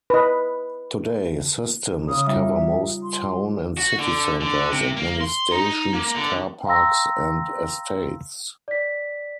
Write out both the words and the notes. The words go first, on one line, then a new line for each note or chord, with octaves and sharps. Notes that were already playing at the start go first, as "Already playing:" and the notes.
Today, systems cover most town and city centres, and many stations, car-parks and estates.
B4 D#5
C#3 D#6
G3 D#4 F4 E5
C6
F#4
D3
D3
C3
A#3
C6
D#4
A#3
D3
F5 G5 A#5 C6 E6 A#6
D5 B6